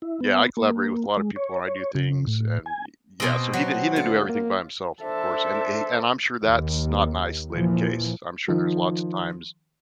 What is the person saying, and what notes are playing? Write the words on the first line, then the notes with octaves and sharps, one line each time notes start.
yeah, I collaborate with a lotta people when I do things and y yeah. So he did he didn't do everything by himself, of course. And he and I'm sure that's not an isolated case. I'm sure there's lots of times
E4
B3
A#3
G#3
C#5
C#5
C#3
A2
G#5
B2 C4 D#5 G5 G#5
F#3
D2 F4
A#3
D4 A4 C5 E5
D#2
A#2 E3 F3
D#3 F3